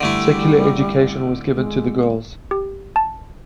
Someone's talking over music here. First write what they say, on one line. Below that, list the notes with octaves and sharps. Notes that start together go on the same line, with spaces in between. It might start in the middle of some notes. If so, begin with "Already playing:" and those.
Secular education was given to girls.
D3 G3 A3 E4
G#3
G4
A5